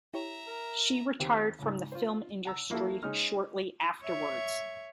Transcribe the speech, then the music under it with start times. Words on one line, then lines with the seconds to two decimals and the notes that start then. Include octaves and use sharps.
She retired from the film industry shortly afterwards.
0.14 E4 G4 C#5 E5 A#5
0.48 A#4
1.20 D#2 C4 G4
1.59 C#2 G#2
1.92 F4 C5
2.45 F#5 A#5 E6
2.70 F3 A#3 E4 F#4 A4
3.03 G#3 C#4 D#4 F6
4.03 C#5 E5